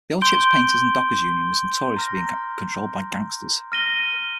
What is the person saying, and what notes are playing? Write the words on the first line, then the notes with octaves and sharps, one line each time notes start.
The old Ships Painters and Dockers Union was notorious for being controlled by gangsters.
C6 G6 D7 G7
A#5 F6 A#6
F6 A#6 D#7 G7